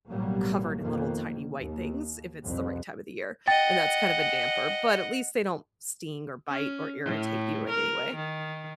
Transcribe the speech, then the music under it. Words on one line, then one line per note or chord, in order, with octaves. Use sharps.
covered in little, tiny white things, if it's the right time of the year, and that's kind of a damper, but at least they don't sting or bite or irritate you in any way.
A1 B2 F#3 G3 A#3
F2 B2 D#3 A#3
D#2
C2 F2
D#5 F#5 G5 A6
C#4
A2
A#4
D#3